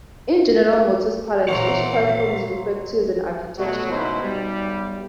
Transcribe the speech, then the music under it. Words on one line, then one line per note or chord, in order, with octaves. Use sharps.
In General Motors parlance, each platform is referred to as an "architecture".
A#2 E3 F#3 C5 F5 F#5 A#5
B2 F#3 A3
C#2 B2 D#4 E4 B4 C5
B1 G3